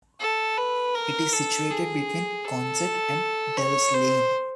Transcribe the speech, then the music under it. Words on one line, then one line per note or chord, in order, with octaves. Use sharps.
It is situated between Consett and Delves Lane.
A4
B4
A#4
A4
G#4
A4
C#5
C5